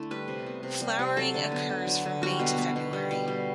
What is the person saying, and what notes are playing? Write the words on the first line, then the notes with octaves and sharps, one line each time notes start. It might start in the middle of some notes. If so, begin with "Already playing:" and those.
Flowering occurs from May to February.
Already playing: D3 A3 D4 E4
G3 B4
C3
B3
C3
G3
C3
F#3 A4
D3
B3
D3
F#3
D3
G3 F#4
B2
B3
B2
G3
B2
G3